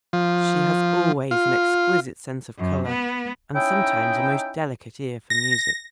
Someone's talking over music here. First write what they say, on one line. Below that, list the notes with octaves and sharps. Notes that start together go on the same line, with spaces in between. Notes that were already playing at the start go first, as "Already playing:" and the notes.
She has always an exquisite sense of colour and sometimes a most delicate ear for music.
F3
F4
F#2
B3
C#4 D#4 E4 G5
A#6